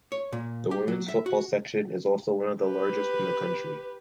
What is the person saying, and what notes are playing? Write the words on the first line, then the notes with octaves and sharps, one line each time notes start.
The women's football section is also one of the largest in the country.
C#5
A#2
G4
F#3
E5
F#4
G4 B4